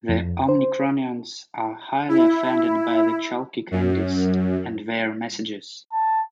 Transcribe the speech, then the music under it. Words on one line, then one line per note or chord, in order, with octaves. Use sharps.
The Omicronians are highly offended by the chalky candies and their messages.
F2
C5
E4
F#2
A5